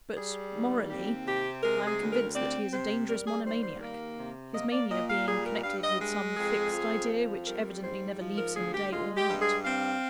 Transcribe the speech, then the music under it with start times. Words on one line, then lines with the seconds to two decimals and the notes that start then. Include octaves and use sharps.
But, morally, I am convinced that he is a dangerous monomaniac; his mania being connected with some fixed idea which evidently never leaves him day or night.
0.17 G3 G#4
0.53 D#2
0.90 C4 G4
1.26 C3 G4
1.63 G#3 A#4
1.87 G#4
2.00 D2
2.12 A#4
2.36 C4 D5
2.72 C3 C5
3.09 G3 A#4
3.27 G#4
3.45 D#2 C5
3.63 C5
3.81 A#3 A#4
4.18 C3
4.54 A#3 D#5
4.72 D5
4.91 A#2 D#5
5.10 F5
5.28 G3 G#4
5.46 A#4
5.64 G2 F5
5.83 D#5
6.01 G#3
6.37 F2 G#4
6.73 F3
7.10 F2
7.46 G3 A#4
7.83 G#2 C5
8.20 F3
8.38 A#4
8.56 D2 G#4
8.74 G4
8.93 G#3 F4
9.17 G4
9.29 G2
9.42 G#4
9.65 C4 F5